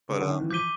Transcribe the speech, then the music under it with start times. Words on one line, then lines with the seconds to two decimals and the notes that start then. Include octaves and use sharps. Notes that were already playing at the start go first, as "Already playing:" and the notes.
but, um.
0.09 C#3
0.19 D3
0.30 D#3
0.40 E3
0.50 F3 D6 G6 B6 D#7 G7